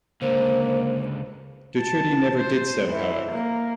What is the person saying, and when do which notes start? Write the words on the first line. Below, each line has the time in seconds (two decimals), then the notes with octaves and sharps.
Docherty never did so, however.
0.22 C#2 D3 A#3 C5
1.77 A5
2.37 C5
2.89 E3
3.31 A#3